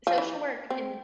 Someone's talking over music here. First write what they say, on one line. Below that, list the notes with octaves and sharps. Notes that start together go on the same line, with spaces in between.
social work and
F3
E3
C4